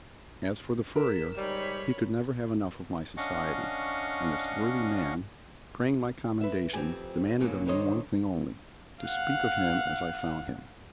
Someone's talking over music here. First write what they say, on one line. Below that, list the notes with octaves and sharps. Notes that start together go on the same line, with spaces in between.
As for the furrier, he could never have enough of my society; and this worthy man, praying my commendation, demanded of me one thing only--to speak of him as I found him.
A#4 B6 E7
G#2 G3 C#5 B5
C#4 D4 D#5 F5 F#5 C#6
B4 E5
F2 B2 C4 G4 G#5
G2 A#2 C#3 E3 F#3 A#3
G2 D3 D#3 C5 C#5 D#5
F5 F#5